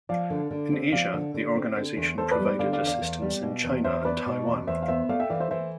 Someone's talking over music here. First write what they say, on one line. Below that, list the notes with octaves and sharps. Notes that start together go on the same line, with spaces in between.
In Asia the organization provided assistance in China and Taiwan.
F3 D5 F5
D3
D3
C4
F3 D5 F5
D3
D3
C4
D3
E2
E2 A4 C5
B4 D5
G3
B4 D5
D3 D5 F5
D5 F5
E2
D5 F5
E2
G3
B2
E2
E2 C5 E5
B3 B4 D5
B2
E2
E2 C5 E5
F5
B3 C5 E5
A3 D5 F5
E5 G5
E3 D5 F5
C5 E5
E3 C5 E5